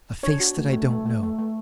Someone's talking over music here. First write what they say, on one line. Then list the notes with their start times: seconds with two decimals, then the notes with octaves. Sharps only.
A face that I don't know.
0.23 D4 C#5
0.40 F#4
0.57 A3
0.73 A3
0.90 A3
1.06 A3
1.23 A3
1.39 A3